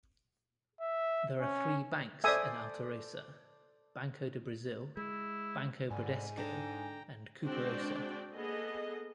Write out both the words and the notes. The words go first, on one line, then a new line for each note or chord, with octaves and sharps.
There are three banks in Alterosa: Banco do Brazil, Banco Bradesco and Cooperosa.
E5
C#4
A4 C5 D5 E5 G#5 D#6
G#3 E4
G#2 D3 G3 G#5
D3 G5 A#5
G#3 C4 D4 F#4 D5 G5
A#3 B3 G#4 A4 D#5